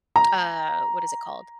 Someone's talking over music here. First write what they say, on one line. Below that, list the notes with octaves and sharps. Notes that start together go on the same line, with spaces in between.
a, what is it called?
A#5